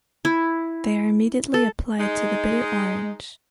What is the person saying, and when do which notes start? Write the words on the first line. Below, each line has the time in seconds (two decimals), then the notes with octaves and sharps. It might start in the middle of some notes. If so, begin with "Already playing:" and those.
They are immediately applied to the bitter orange.
0.25 E4
1.54 A4
1.99 G#3 D#4